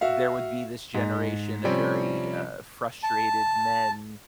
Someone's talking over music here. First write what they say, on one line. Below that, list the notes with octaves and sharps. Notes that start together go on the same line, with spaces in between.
there would be this generation of very, uh, frustrated men
F#4 E5 F5
G#2
C3 F3 G3 C4 C#4
A5